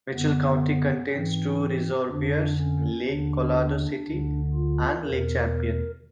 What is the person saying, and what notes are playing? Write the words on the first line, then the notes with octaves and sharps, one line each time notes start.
Mitchell County contains two reservoirs, Lake Colorado City and Lake Champion.
F#2 D3 B3
G#2 E3 C4
C4
F2 D3 D4
C#4
D#2 D3 D4
D2 D3
F4
E2 B2 A#4